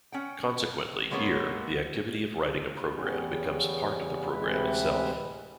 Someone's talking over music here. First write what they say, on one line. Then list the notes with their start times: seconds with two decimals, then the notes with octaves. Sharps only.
Consequently, here, the activity of writing a program becomes part of the program itself.
0.12 C#4 F#5 G5
1.11 F#3 G#3 A#3 B3 C#4
2.94 E2 C#3 G3 B3 C#4
4.31 D2 A2 C3 E3 G#3 B4